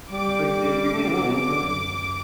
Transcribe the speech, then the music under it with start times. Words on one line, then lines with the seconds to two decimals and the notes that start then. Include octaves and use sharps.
But David disappears.
0.11 G3 D6
0.53 D6
0.94 A3
1.04 G3
1.08 E3
1.14 F#3
1.24 B2
1.34 C#3 D6
1.48 D3
1.62 F#2